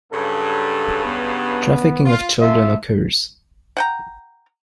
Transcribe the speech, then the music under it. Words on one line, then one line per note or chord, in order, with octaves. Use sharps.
Trafficking of children occurs.
G2 C#3 F#3 A4
B3
F4
F#2 F4 A4 E5
F#5 G5 A#5